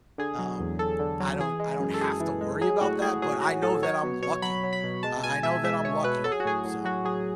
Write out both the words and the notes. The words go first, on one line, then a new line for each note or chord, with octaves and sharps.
um, I don't I don't have to worry about that, but I know that I'm lucky, I I know that I'm lucky, so
D3 G#4
F#3
E2
E2 A4
D3
F#3
E3 G#4
G#3
F#2
A4
F#2 G#4
E3
G#3
F#3 G#4
A2 F#4
A2 G#4
F#3 G#4
F#3 F#4
A2 A4
F#3 C#5
B2
B2 C#5
F#3 B5
F#3
B5
B2
G#3 A5
B2 G#5
B2 E5
G#3 E5
G#3 C#5
B2 B4
F#3 A4
G#4
F#4
A2 G#4
A2
F#3 F#4
F#3 G#4